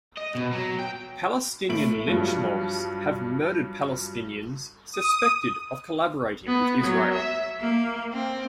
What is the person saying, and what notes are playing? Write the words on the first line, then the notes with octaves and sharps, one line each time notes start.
Palestinian lynch mobs have murdered Palestinians suspected of collaborating with Israel.
D#5
B2
F#3
G5
A2 D7 F#7
G2 F3 F#3
D#6
B3
F#3
E5
A#3
C4